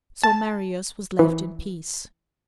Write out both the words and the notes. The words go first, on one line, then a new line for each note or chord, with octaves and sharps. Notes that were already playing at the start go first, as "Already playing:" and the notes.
So Marius was left in peace.
A5
E3